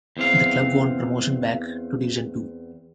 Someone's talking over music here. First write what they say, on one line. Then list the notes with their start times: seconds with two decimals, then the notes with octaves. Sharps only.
The club won promotion back to Division Two.
0.17 E2 C4 F5